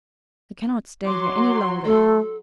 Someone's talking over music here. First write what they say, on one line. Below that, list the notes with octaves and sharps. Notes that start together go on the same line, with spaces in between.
I cannot stay here any longer.
F#3 C6 D6
A3 A4